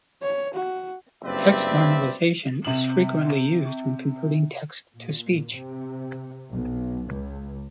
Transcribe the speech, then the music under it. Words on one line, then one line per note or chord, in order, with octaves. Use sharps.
Text normalization is frequently used when converting text to speech.
C#5
F#4
F#1 G2 C4 B4 D5 E5
C3 F#7
A#2
C3
B1
C#2